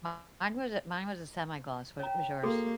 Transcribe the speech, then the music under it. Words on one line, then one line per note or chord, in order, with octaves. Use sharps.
Mine was a mine was a semi-gloss, what was yours?
G4 C#5 A#5
A#3 F#4 G#4 A4